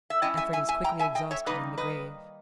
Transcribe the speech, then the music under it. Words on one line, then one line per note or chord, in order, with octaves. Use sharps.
Effort is quickly exhausted in the grave.
E5
G3 C#4 E4 D#5 G5
E5 G#5
E5 G#5
E5 G#5
G5 A#5
E5 G#5
D#5 G5
C#5 E5
D#3 G3 A#3 D#4 B4 D#5
B4 D#5